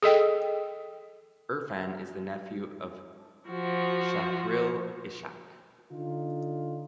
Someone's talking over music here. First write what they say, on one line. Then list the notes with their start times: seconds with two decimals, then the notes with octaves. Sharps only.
Irfan is the nephew of Shahril Ishak.
0.02 G#4 A4 D#5 G5
3.49 F3 F#4
5.91 D3 D#4 F4